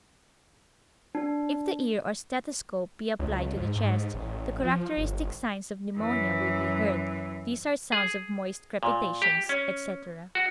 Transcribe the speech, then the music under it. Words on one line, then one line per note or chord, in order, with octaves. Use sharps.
If the ear or stethoscope be applied to the chest, the characteristic signs of pneumonia will be heard; these are sounds of moist crepitations, etc.
D4
C#2
G#2
G#2
A1
F3
G1
F#2 E3
G#4
A#2
G4
C#4
F#4